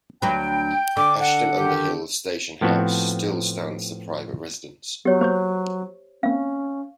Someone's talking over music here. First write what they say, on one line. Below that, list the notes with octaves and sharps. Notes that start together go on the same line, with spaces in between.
Ashton under Hill station house still stands as a private residence.
D2 F#3 B4 G5
D3 D6
F#5
D#3 G4
A2 F3 B3 C4 F#4 A5
F#3 B3 G4 C#5
A#3 C5 C#6 G6
A#3 C4 C#4 F5